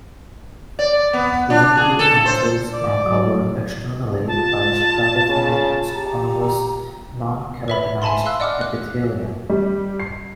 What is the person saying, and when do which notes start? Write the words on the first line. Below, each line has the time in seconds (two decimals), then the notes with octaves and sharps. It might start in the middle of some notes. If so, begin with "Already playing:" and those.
Lingual tonsils are covered externally by stratified squamous nonkeratinized epithelium.
0.79 D5
1.13 B3
1.50 D4
1.77 G#4
1.99 A4
2.26 C5
2.73 D5
3.06 F#3
4.28 F4 A5
5.29 C#3
5.94 G4 A#5
7.68 B4 E5 B5
8.02 E5 G#5 A5 B5 C6
8.26 F5 C6 E6 F#6
8.40 D5 D#5 F#5 D6 D#6 F6
8.61 F#6
9.49 G3
10.00 C7